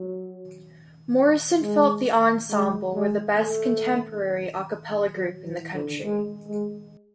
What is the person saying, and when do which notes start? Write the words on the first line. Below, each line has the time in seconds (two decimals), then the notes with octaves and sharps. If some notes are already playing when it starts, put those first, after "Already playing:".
Morrison felt the ensemble were the best contemporary a cappella group in the country.
Already playing: F#3
1.62 G#3
2.50 G#3
2.94 G#3
3.38 A3
5.15 F#3
5.45 E3
5.74 D3
6.03 G#3
6.47 G#3